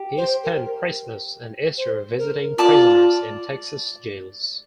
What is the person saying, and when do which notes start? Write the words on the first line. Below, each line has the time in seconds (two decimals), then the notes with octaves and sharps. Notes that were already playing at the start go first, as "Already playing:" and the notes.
He spent Christmas and Easter visiting prisoners in Texas jails.
Already playing: G4
0.17 C5
0.44 A#4
1.78 C5
2.18 A#4
2.58 F4 D5 A5 D6